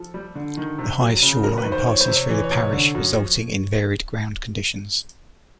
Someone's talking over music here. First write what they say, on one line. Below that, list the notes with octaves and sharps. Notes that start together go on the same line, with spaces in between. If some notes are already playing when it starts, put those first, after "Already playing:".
The highest shore-line passes through the parish, resulting in varied ground conditions.
Already playing: F3 A4
G3
D3
D#3
C3
F#3
C#3
F#3 A#4
B4
D#3
C5
F3 C#5
C5
C3
C#5
E3 C#5
C#5
C3
C#5
D3
F#2
F3